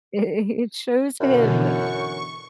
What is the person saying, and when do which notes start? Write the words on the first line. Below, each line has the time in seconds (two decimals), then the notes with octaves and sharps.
it it shows him
1.20 F#2 B2 D3 E3
1.59 C#6